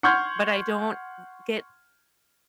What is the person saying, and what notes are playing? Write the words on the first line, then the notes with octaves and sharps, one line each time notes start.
but I don't v get
F#5 C6 C#6 F6 G6 G#6